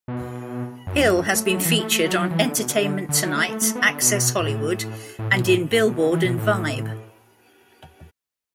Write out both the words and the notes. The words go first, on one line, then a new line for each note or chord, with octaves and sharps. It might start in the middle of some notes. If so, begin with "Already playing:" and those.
Hill has been featured on "Entertainment Tonight", "Access Hollywood", and in "Billboard" and "Vibe".
B2
F#2
E2
F#2
F#2
A2
A3
A3
F#3
E3
A3
A3
F#3
F#3
E3
D3
B2
D3
D3
D3
F#3
A3
A3
A3
B3
D3
B2
A2
A2
B2
A2
A2
B2
D3
E3
B2
A2